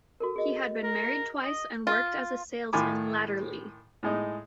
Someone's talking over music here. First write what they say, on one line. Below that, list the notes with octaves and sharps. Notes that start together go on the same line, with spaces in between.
He had been married twice and worked as a salesman latterly.
F#4 A4 A#4
G#4 D#5
A#4
D#5
F4
A2 D#3 F4 G#5 B5 D6
A2 G#3 D#4